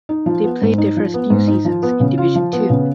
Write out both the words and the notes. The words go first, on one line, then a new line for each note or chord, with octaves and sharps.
They played their first few seasons in Division Two.
D#4
F3
B3
G#2
D#4
F3
B3
G#2
D#4
F3
B3
C#3
F4
F3
B3
C#3